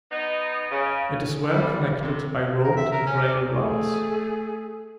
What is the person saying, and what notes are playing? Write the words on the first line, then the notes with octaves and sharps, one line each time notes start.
It is well connected by road and rail routes.
B3 D#4
C#3
E2 G3
C3
A#4
E5
A#4
C#4
D5
A3 G#4